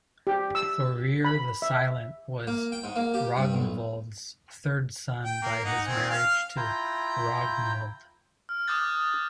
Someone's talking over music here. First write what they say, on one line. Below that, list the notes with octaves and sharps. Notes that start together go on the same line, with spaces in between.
Thorir the Silent was Rognvald's third son by his marriage to Ragnhild.
G4
E6
B5
E5
A#3
G5
G#2
A#3
G4
G2
B1
G5
A#3
D#4 F#5
D#3 C4 G#5
F5 F6
E4 F4 G5 A#5
F6
D6 D#6 F#6 G6 A6